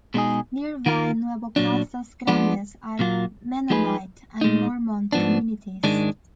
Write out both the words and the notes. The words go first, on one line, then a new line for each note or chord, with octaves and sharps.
Nearby Nuevo Casas Grandes are Mennonite and Mormon communities.
B2 G#3 D#4 G#4
D#3 A#3 F4 A#4
A#2 F#3 D4
F3 G#3 B3 D4
A#2 F#3 A#3 F4
F3 G#3 D#4 G#4 B4
A#2 G#3 D#4
G#2 F3 B3 D4
G#2 D#3 G#3 D4